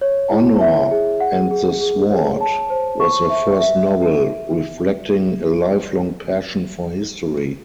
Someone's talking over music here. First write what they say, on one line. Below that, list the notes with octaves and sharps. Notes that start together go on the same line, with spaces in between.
Honour and the Sword was her first novel, reflecting a lifelong passion for history.
C#5
E4
E5
G#4
F#5
G#4
G#4
C#5
A5
C5
C#6
E5
E5